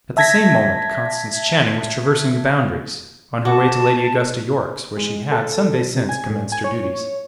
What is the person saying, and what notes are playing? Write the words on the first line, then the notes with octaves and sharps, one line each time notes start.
At the same moment Constance Channing was traversing the Boundaries, on her way to Lady Augusta Yorke's, where she had, some days since, commenced her duties.
E5 A5 G#6 A#6 B6
F#4 A4 A5 D6
G#3
A4
C3
G#5
A2
G#5
C#5